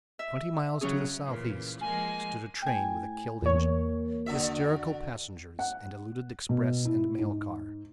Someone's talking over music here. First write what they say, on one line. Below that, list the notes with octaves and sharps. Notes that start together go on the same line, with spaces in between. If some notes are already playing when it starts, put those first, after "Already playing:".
Twenty miles to the southeast stood a train with a killed engine, hysterical passengers and a looted express and mail car.
E5
C#3 F#3 C#4 G#4
A#2 C#3 E3
F3 G#3 A#3 G#5
A2 G5 G#5
E2 A#3 C#5
D3 F#4 E5
F#5
B2
E4
G#2